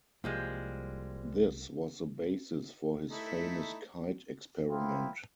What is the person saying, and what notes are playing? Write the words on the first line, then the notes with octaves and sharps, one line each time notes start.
This was the basis for his famous kite experiment.
C2 F3 G3 G#3 A#3
A3 D#4 E4
B3 E4 F4 A#4 C5 G5